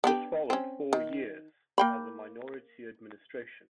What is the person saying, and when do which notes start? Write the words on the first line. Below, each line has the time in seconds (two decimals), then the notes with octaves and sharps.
This followed four years as a minority administration.
0.04 B3 D4 G4
0.50 C4 C#4
0.93 D#3
1.78 A#3 G5 B5